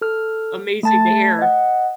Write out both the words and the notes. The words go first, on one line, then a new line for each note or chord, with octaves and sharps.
amazing to hear.
A4 F6
A3 A5 A6
D#5 F#5